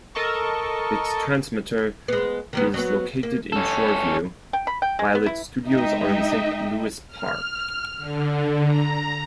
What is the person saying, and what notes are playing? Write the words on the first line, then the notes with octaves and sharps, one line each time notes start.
Its transmitter is located in Shoreview, while its studios are in Saint Louis Park.
A4 A#4 D#5 A5 C#6
G#3 B3
D#3 G3 B3
F#3 B3
A#3
C#4 A4
G5
B5
G5
G#3
B3
E4
G#3 D#4 D#5 E5 G5
F6
D3
A#5